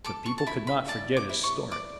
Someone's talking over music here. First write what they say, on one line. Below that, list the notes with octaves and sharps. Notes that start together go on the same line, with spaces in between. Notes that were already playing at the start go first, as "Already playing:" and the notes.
But people could not forget his story.
A4 D6
C#6
A5
E4 B5
B5
D5 A5
D6
E4
C#6
D5 D6